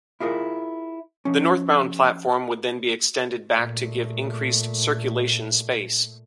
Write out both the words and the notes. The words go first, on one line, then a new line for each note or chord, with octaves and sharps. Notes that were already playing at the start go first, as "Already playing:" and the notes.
The northbound platform would then be extended back to give increased circulation space.
E4 F4 G#4 A#4
F3 C#4
A#2 A3